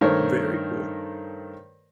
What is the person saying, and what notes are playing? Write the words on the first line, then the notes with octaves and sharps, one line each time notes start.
Very cool.
G2 D#3 A3 A#4 C5 C#5